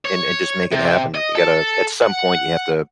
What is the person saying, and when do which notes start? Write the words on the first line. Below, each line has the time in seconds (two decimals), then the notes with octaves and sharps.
and and just make it happen. You gotta at some point, you have to
0.05 C#5
0.72 C3
1.14 D#5
1.35 A4
2.03 F#5